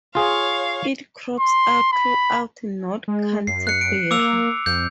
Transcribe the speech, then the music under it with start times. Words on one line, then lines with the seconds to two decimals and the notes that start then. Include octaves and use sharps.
It crops out throughout North Canterbury.
0.15 F4 G#4 C#5 F5
1.39 C6
1.93 B5
3.08 G#3
3.47 F#2 C7
3.67 F#6 C#7
3.81 D7
4.11 A#3 D6 E6 F7
4.66 F2 G6